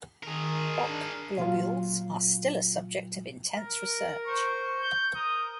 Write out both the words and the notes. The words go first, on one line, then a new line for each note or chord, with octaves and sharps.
Bok globules are still a subject of intense research.
D#3 G#4 A#4
D4
A#2 F#3 F4
A#4
C5 C#6
G6
A#4 D#6